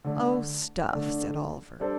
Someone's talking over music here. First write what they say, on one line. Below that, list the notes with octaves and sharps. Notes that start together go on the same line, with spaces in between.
"Oh, stuff!" said Oliver.
D3 A3 D4
D3 A3 D4
G3 D4 A4 C5